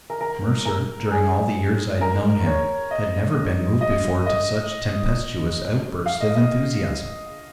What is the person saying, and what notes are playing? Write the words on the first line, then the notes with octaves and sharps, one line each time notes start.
Mercer, during all the years I had known him, had never been moved before to such tempestuous outbursts of enthusiasm.
A#4
A#4
A#4
G#4
A#4
C#5
D#5
D#5
D#5
F5
D#5
D#5